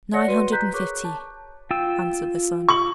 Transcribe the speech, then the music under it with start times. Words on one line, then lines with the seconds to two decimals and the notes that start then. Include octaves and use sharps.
"Nine hundred and fifty," answered the son.
0.13 C#5 D5 F#5 F#6 A#6 C#7
0.28 F#4 B4 C6 D#7
0.52 A#5 F#6 G6 B6
0.74 G#4 A#4 C#5 C#6 D6 F#6
1.04 A5
1.71 F4 G5 E6
2.69 C#6 F#7